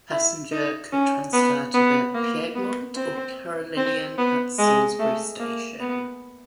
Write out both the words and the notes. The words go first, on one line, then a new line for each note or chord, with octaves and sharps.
Passenger could transfer to the "Piedmont" or "Carolinian" at Salisbury station.
E4
D#4
C#4
B3
B3
A#3
B3
C4
C4
B3
G#3
A3
A#3
B3